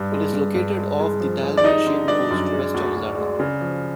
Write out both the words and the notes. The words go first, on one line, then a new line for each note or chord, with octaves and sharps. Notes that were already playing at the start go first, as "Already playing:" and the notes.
It is located off the Dalmatian coast, west of Zadar.
Already playing: G2
G#3
G2
G2
G#3
G#3
F3
G#3
D5
G3 D#4 D#5
D3
G3 D4 D5
F#2
G#3
D2
D2
G#3
C#3
F3